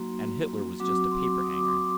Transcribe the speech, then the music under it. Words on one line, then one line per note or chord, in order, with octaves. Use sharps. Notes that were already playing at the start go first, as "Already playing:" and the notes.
"And Hitler was just a paper-hanger."
Already playing: F#3 A#3 D#4 F#4 C6
F#3 C4 F#4 D6
C6
D#6
D6
C6
D6